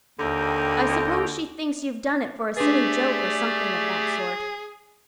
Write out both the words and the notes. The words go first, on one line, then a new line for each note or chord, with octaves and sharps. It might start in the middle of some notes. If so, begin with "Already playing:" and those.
I suppose she thinks you've done it for a silly joke or something of that sort.
D#2 D3 G5 A#5
A3 D4 G4 G#4 B4 D5